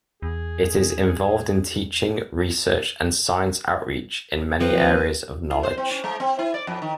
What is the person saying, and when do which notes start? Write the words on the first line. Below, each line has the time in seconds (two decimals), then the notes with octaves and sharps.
It is involved in teaching, research and science outreach in many areas of knowledge.
0.22 E2 G#4
4.61 F3 C4 B4
5.50 E4
5.63 C5
5.78 C4
5.91 C#4
6.04 G#3
6.20 C4
6.39 E4
6.54 D5
6.67 F2
6.82 D#3